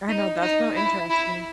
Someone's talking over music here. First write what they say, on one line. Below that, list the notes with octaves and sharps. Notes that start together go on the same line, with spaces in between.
I know, that's so interesting.
D#4
D#4
E4
E4